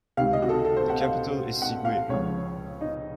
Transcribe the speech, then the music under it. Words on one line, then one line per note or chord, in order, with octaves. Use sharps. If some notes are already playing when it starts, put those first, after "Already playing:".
The capital is Siguiri.
C#2 C3 D#3 F5
D#5
F#4
A4
A4
C5
F#5
F5
F#5
F5
C#2 C#3 F3 C#5
D#4